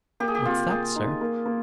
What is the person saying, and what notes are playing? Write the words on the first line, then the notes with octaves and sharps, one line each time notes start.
"What's that, sir?"
A#3 G4
G#4
G4
C3 F4
A#3 G#4
D#4
A#3
A#3